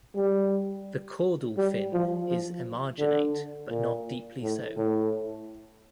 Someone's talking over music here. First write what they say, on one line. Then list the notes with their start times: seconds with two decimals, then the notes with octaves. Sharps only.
The caudal fin is emarginate but not deeply so.
0.15 G3
1.57 G3
1.93 F3
2.29 F3
2.99 D3
3.70 A#2
4.42 A2
4.77 A2